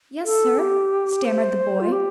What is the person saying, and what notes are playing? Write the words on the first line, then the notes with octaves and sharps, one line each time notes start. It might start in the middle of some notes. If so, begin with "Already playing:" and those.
'Yes, sir,' stammered the boy.
A4
G4
C5
F4
G4